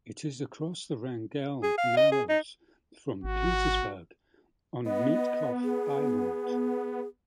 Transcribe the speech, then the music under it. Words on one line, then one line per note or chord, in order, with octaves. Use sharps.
It is across the Wrangell Narrows from Petersburg on Mitkof Island.
G#4
F5
D#5
G#4
D#4
G#1 F#4
B3 D#5
G#4